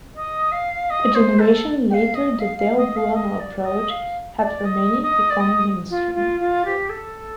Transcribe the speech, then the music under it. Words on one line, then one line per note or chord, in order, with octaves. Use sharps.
A generation later the del Buono approach had for many become mainstream.
D#5
F5
D#5
C5
A4
G5
F5
D#5
F5
F5
D#5
F5
D#5
D5
D#5
F5
D5
D#5
D#5
D5
D#5
F4
F4
F4
G4
A4